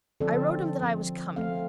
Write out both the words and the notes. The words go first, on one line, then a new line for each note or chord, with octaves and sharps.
I wrote him that I was coming.
D3 F3 C4 A4 D5
F3 C4
F3 A3 C4 F5